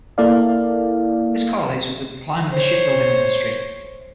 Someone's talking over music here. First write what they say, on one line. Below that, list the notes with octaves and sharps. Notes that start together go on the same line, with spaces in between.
This correlates with the decline of the shipbuilding industry.
A#3 E4 A4 D5 F5
C5 C#5